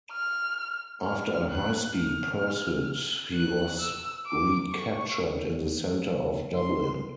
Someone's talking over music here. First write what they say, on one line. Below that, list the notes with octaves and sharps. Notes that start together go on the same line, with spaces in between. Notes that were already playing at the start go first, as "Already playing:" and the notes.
After a high-speed pursuit, he was recaptured in the centre of Dublin.
F6
F6
F#6
F6
F#6
E6
D6
C#6
C6